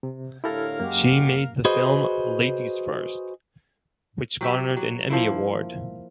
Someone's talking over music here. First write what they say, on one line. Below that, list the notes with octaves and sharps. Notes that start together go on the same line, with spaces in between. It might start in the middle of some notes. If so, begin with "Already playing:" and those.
She made the film "Ladies First" which garnered an Emmy Award.
C3
A2 D3 A3 E4 G4 A4 A#4 F5
F#2 G#3 A#3 F#4 G4
F#4 G#4 B4 C5 D#5
F#3 G4 E5
F#3
F3 A#3 E4